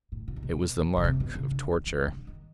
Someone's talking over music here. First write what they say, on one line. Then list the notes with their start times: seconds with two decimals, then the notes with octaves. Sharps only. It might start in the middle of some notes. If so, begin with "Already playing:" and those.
It was the mark of--torture!
0.12 A2
0.28 A#2
0.36 C3
0.43 B2
0.97 C#3
1.04 C3
1.20 B2
1.35 C#3
1.51 D3
1.74 D#3
1.86 E3
1.96 D#3
2.07 C#3
2.12 D3
2.27 D#3